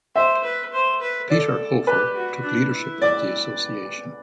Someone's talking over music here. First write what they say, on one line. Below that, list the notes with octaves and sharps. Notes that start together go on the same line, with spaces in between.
Peter Hofer took leadership of the Association.
C5 E5
B4
C5
B4
A4 D5
G4 B4
F#4
D4
E4
D5